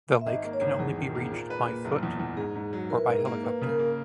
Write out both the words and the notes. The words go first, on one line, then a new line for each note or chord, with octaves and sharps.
The lake can only be reached by foot or by helicopter.
E5
G#1 D#5
A#3
C#5
G#1
E2 G#4
D#3
A#3
A#2
B4
A#2
F#1
E2
E2
G#2 G#4
G#2
F#3
E4 A#4
B4
G#2 A#4
G#4
A#3
A#3 B4
C#3
A#4
A#3